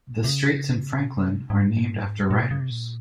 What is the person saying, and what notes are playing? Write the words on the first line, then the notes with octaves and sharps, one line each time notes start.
The streets in Franklin are named after writers.
C3
C#3
A#2
C3
G#2
A#2
C3
C#3
C3
A#2